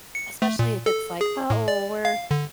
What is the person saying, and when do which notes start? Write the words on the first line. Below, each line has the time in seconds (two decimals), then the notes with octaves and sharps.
especially if it's like, "Oh, we're
0.15 C#7
0.42 A3
0.59 A#2
0.86 A4
1.21 G#4
1.50 A2
1.68 D5
2.05 F5
2.31 D3